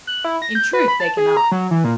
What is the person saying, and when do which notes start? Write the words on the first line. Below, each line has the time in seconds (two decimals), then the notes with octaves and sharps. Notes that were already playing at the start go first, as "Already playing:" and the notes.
In truth they cannot.
0.07 F#6
0.25 E4
0.42 A#6
0.55 G6
0.73 B4
0.88 B5
1.00 A5
1.17 G#4
1.37 A#5
1.52 F#3
1.71 E3
1.84 A#2